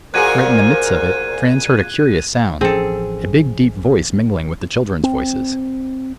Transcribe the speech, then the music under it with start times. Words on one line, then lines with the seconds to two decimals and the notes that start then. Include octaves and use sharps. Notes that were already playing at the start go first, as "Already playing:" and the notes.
Right in the midst of it, Franz heard a curious sound, a big deep voice mingling with the children's voices.
0.14 A#2 F#4 G#4 A#4 C5 F#6 G#6 D#7
2.61 A1 F3 C4 C#4 G#4 A4
5.03 C4